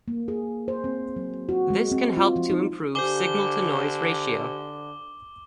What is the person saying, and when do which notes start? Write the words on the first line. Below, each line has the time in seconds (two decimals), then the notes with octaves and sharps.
This can help to improve signal-to-noise ratio.
0.08 A#3
0.28 G#4
0.68 C5
0.84 C4
1.16 F#3
1.49 F#4
1.70 G#3
1.92 C4
2.17 F4
2.36 F3
2.50 D#4
2.95 D3 G4 C5 G#5 D6 G7